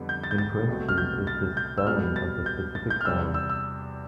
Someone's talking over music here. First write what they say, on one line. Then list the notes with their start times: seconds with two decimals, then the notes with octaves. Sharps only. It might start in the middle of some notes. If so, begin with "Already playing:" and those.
In parentheses is the spelling of the specific sound.
Already playing: F2 D3 G3 B3
0.09 G6
0.24 A6
0.31 G6
0.38 A6
0.68 C2 B2 A3 C4
0.89 F6
0.98 G6
1.27 A6
1.57 G6
1.78 E6
1.87 B2 G3 B3 F6
2.16 A6
2.46 G6
2.75 A6
2.90 G6
3.01 F6
3.05 E2 C3 G3 C4 E6
3.34 E6
3.50 E6